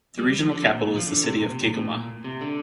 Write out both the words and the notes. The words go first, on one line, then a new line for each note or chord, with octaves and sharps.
The regional capital is the city of Kigoma.
G3
G3
F3
D3
C3
A#2
A#2
F3
D3
C3
A#2
C3
A#2
A2
A#2
C3
D3